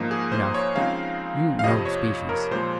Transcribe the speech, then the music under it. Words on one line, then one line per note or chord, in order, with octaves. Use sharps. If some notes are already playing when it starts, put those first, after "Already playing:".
Enough, you know the species.
Already playing: G#2 F3 A#3 D#4
G#4
C5
C#5
C#3 F3 G#3 C4 D#4 F5
F5
F2 C3 F3 D#5
C#5
A#4
A#2 F3 G#3 C5